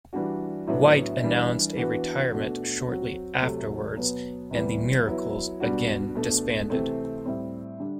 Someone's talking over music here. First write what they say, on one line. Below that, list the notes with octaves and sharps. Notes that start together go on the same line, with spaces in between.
White announced a retirement shortly afterwards and the Miracles again disbanded.
E3 G3 D4 F#4
A2 F#3 B3 D4
E3 G3 D4
E3 B3 D4 F#4
B2 A3 D4 F#4
F#3 C4 F#4
C3 F#3 A3
B2 F#3 B3
C3 E3 G3 B3
F#3 B3 E4
B2 G3 D4 F#4
B2 A3 D4
C3 E3 A3 C4
A2 G3 C4
D3 G3 D4